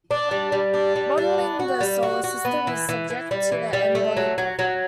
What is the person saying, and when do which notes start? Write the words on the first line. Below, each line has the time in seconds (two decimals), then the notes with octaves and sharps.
Modeling the Solar System is subject to the n-body problem.
0.11 D4
0.31 G3
0.52 G3
0.74 D4
0.96 G3
1.18 D4
1.38 B3
1.60 F#4
1.81 G3
2.03 F#4
2.24 F#4
2.45 B3
2.67 E3
2.89 E3
3.10 E3
3.31 G3
3.52 E3
3.73 G3
3.95 A3
4.17 F#3
4.38 F#3
4.59 F#3